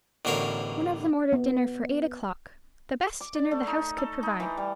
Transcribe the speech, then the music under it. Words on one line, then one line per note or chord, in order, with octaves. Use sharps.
One of them ordered dinner for eight o'clock, the best dinner the house could provide.
A1 B2 D3 A#4 C#5 F5
B3
D6
D5
A3
D#4
A4
D#4
E3
G3